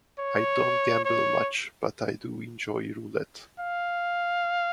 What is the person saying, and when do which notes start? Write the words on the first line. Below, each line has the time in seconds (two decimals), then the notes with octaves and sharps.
I don't gamble much, but I do enjoy roulette.
0.19 C#5
1.05 C#5
3.60 F5